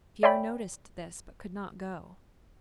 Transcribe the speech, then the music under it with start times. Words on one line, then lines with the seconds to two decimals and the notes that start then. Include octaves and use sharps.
Pierre noticed this but could not go.
0.23 C#5 D5 E5 G5 G#5 B5